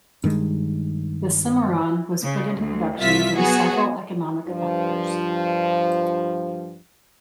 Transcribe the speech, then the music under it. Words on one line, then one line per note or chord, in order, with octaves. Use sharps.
The Cimarron was put into production due to several economic factors.
G2 D#3 G#3
C#3
D2
C2 F4 E5 B6
F#3 B3 F#4 G#4
G2 F3